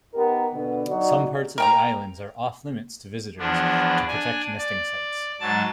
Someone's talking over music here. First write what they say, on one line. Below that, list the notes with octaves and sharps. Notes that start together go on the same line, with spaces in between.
Some parts of the islands are off limits to visitors to protect nesting sites.
B3 D#4 G4 A#4
B2 D3 B3
F#3 D#4 F#4 D5
A#4 G5 A#5
E2 F3 B3 D4
D4 G#5
D5
G#2 F#3 A5 A6